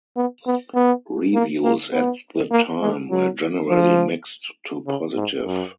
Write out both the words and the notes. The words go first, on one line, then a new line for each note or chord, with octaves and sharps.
Reviews at the time were generally mixed-to-positive.
B3
B3
B3
A#3
A#3
B3
A#3
G#3
F#3
F3
C#3
G#2
F#2